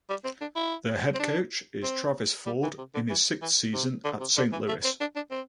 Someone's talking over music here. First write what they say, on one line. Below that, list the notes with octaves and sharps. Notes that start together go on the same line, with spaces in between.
Their head coach is Travis Ford in his sixth season at Saint Louis.
G3
C4
D4
E4
C4
D4
C4
G3
E3
C3
D3
E3
E3
C3
D3
C3
D3
E3
A3
C4
D4
D4
C4